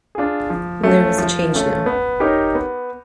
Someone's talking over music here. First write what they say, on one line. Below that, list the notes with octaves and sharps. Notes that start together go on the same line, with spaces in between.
There was a change now.
D4 F4 G#4
F3
A3 C#4 F4
F3
A3 C#4 F4
B3
D#4 G4 A#4 C#5
B3